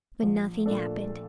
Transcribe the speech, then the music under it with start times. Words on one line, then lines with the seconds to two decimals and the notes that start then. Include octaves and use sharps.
But nothing happened.
0.23 A#1
0.66 A#2 A3 D4 A4